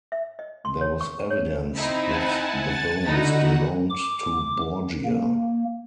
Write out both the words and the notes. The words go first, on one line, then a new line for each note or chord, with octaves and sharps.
There was evidence that the bones belonged to Borgia.
E5
D#5
C6
C#5
C#6
C#5
C4 D#4 E4
F#5 G#5 A5
A6
D3 D#4 E4 F#4 F#5
D6
A#3